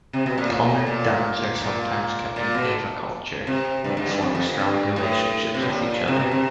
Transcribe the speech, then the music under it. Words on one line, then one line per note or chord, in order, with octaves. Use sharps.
Collared doves are sometimes kept in aviculture, and form strong relationships with each other.
C3
B2
A#2
A2
A#2
A#2
A#2
B2
C3
G2
G#2
G2
F2
F2
G2
A2
C3
B2
A#2
C3
B2
C3